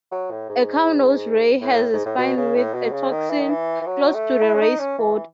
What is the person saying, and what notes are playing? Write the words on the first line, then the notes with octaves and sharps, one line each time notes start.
A cownose ray has a spine with a toxin, close to the ray's body.
F#3
A2
G#2
A2
G#2
A2
B2
C#3
A2
B2
C#3
D#3
E3
D#3
E3
E3
F#3
A3
E4
C#4
D#4
C#4
E3